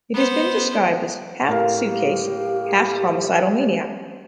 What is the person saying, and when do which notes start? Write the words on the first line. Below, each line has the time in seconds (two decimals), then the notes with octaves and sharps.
It has been described as "half suitcase, half homicidal maniac".
0.14 B3 C5
1.49 A2 G4 A#4 F5